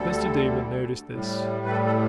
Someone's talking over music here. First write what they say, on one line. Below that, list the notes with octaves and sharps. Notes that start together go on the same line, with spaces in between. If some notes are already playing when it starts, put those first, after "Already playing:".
Mr. Damon noticed this.
Already playing: D2 D3 G3 A4
A2 G3
B4
A4
A4